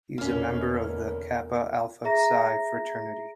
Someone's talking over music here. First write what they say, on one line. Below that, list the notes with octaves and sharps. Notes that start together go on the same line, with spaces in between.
He is a member of Kappa Alpha Psi fraternity.
E2 B2 D3 A#3 C#4 A#4
G#4 E5 A#5 A#6